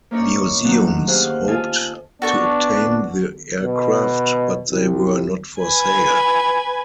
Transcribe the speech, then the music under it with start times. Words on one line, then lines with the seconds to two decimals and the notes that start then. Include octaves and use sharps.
Museums hoped to obtain the aircraft, but they were not for sale.
0.11 A#3 C#4 D#4 A#4 C#5 D5
0.64 D#3 F#3 A3 A#3 D4 D#4
1.08 G4 G#4 C5 D#5 F5 F#5
1.48 F4 A4 D#5 F5 G#5
2.22 B3 D4 F#4 A4 C#6
3.62 B2
4.69 C2
5.61 B4 G#5